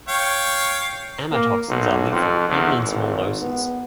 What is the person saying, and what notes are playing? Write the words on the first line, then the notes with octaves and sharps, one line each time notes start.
Amatoxins are lethal in even small doses.
C#5 F5 G5
A#3
B1
F2
E2
G#1
B3